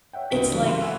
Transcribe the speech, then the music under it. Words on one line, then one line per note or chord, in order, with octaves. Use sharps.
it's, like
C#5 E5 F#5 G5
C2 G2 D#4 F#4 B6
G#2 C#3 E3 F#3 G3 A3
B5 C6 F#6
E5 F#5 G#5 B5 C#6 E6